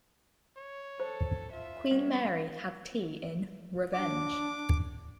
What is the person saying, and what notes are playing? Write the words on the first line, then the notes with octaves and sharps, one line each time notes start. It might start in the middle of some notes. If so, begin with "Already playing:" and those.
Queen Mary had tea in "Revenge".
C#5
A4 C5
F4 E5
G3 B3 C4 C#5
D4 D6